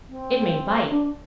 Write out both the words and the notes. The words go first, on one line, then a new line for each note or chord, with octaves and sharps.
"It may bite!"
C4
D4